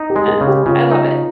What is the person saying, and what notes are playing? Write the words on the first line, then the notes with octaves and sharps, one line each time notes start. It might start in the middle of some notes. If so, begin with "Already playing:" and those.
and I love it.
Already playing: D#4
G4
G#3
G#4
C#3
G4
C#3 F4
D#4